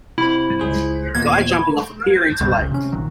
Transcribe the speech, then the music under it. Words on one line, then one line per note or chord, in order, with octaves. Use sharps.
Guy jumping off a pier into lake.
C3 E4 C5
C#2 G#4 C5
D#2 A#2 B3 G#6
C#2 G2 B2
F#1 C#2 C#3
C3 C#4
A#1 A#2 D#3 F#3